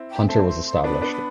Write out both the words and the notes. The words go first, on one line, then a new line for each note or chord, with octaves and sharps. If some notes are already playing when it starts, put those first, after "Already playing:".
Hunter was established.
Already playing: C4 E4
G5
A3 C4 A5
C6
C6
B3 D4 B5
B3 D4
B5